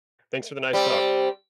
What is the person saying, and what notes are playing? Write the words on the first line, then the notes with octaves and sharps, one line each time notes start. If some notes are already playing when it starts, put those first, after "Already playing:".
thanks for the nice talk.
G3 C4